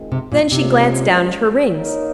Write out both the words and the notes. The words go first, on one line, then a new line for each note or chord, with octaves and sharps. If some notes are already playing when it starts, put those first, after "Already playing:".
Then she glanced down at her rings.
Already playing: D#3 G#3 C4 F4
C3
A#2
C3 G#3 C#4 F4 C5
A#3 D#4 A#4 C#5